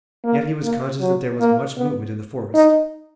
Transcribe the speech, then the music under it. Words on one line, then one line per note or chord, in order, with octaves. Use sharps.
Yet he was conscious that there was much movement in the forest.
A#3
A#3
F#3
A#3
B3
D#4